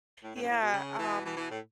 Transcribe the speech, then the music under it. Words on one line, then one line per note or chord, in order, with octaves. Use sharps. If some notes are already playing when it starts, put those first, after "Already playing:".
Yeah, um,
A2
A2
F#2
A2
B2
C#3
B2 E3
B2 E3
B2 E3
A2